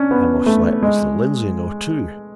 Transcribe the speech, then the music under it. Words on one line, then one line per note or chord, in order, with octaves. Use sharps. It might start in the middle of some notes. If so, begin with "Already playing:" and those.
I must let Mr. Lindsey know, too.
Already playing: C#4 D4
B3
A3
G#3